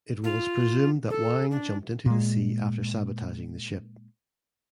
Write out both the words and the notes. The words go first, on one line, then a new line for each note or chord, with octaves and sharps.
It was presumed that Wang jumped into the sea after sabotaging the ship.
F4
A4
D4
A#2 G#3